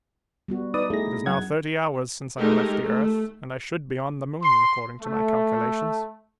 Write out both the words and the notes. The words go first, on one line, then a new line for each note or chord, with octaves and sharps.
It is now thirty hours since I left the earth and I should be on the moon, according to my calculations.
G3 B3 F#4
D#4 B4 D5 D#6
A3 D#4 E4 G#4 A#6
F#2 F#5 G#6
G#3 A3 D#4 G4 A#4
A3
C6
A3